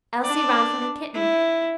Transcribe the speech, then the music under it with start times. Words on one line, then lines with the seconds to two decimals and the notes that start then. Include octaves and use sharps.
Elsie ran for her kitten.
0.24 D4 D5
1.14 E4